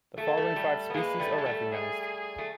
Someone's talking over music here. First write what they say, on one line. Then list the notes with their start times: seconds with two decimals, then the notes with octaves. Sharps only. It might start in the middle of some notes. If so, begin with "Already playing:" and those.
The following five species are recognized.
0.17 A3 A4
0.28 A#3
0.37 G3 A3
0.56 G3 A3
0.90 B3
0.94 G#3 A#3 B4
1.20 G3 A3
1.33 A4
1.38 G#3
1.46 G3 A3
1.71 G#4
2.38 A3